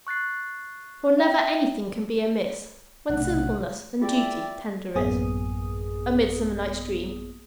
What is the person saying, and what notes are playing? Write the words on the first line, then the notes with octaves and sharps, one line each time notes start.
'For never any thing can be amiss When simpleness and duty tender it.' MIDSUMMER NIGHT'S DREAM.
C#6 F#6 A6 C7
E5 G5
B1 A2 C3 F#5
E4 F4 G#4 D5 E5 G5
A1 F#2 A#3 B3 G#4 D#6